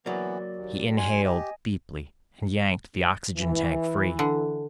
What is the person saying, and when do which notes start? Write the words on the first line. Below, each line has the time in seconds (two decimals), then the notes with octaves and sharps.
He inhaled deeply and yanked the oxygen tank free.
0.06 E3 F#3 A#3 B3 D5
0.56 D#2
0.97 G#5 C6
1.24 G4 D#5 G#5
3.37 E3
4.19 D3